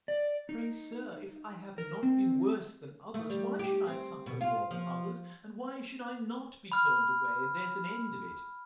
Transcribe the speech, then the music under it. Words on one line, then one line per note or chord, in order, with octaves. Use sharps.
Pray, sir, if I have not been worse than others, why should I suffer more than others? and why should I not be turned away, and there's an end of it?
D5
D#4
A#4
C4
A3
G3
G4
C4
B2
F4
F3
B5 F6